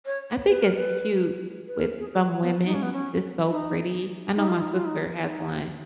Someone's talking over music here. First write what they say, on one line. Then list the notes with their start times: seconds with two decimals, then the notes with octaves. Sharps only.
I think it's cute with some women, it's so pretty. I know my sister has one,
0.06 C#5
0.49 B4
0.62 A#4
0.75 B4
1.67 B4
1.77 A#4
1.99 G#4
2.13 G#4
2.21 F#4
2.42 B3
2.64 D#4
2.74 C#4
2.83 B3
2.93 C#4
3.50 D#4
4.36 D#4
4.48 F4
4.61 D#4
4.73 F4
4.85 D#4
5.22 D#4